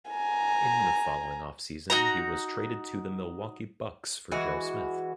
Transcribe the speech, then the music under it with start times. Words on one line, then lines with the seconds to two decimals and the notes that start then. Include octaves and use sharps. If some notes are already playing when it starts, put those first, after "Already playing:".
In the following off-season, he was traded to the Milwaukee Bucks for Joe Smith.
0.11 G#5 A#5
1.90 D#4 F#4 A#5
4.31 E3 G#3 F#4